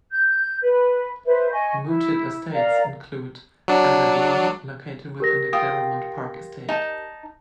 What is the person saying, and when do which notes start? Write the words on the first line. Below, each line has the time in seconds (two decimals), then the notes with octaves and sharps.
Mooted estates include "Evadene", located within the Claremont Park estate.
0.10 G6
0.61 B4
1.26 B4 C5 E5
1.51 D#5 G#5 C#6
1.85 E4
2.52 A#4 D5 F5 A#5
3.68 F#3 D4
5.20 G4 A#4 A#6
5.53 F4 G5 D#6
6.69 D#4 A5